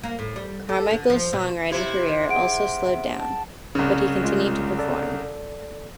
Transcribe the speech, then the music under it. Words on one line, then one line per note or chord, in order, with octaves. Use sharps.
Carmichael's songwriting career also slowed down, but he continued to perform.
A#3
A2
G3
A4
D3
F3
B2
C3 E4 G4
G#4 E5 F#5 D7
A5
C2 C#3
G#3 F4
A4 D5